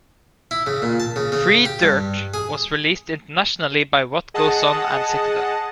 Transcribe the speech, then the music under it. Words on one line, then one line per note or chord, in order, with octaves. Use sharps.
"Free Dirt" was released internationally by What Goes On and Citadel.
E4
C#3
A#2
A5
C#3
C#3
G4
G2
G#4
G#4 D#5 F#5 A5